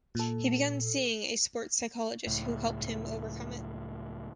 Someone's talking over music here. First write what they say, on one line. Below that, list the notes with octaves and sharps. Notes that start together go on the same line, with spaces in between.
He began seeing a sport psychologist who helped him overcome it.
A#2 A4
C#2 A2